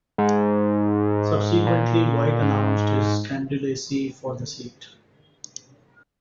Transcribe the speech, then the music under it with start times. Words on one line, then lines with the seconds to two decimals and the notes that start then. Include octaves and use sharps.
Subsequently, White announced his candidacy for the seat.
0.18 G#2
1.67 A#2
2.42 G#2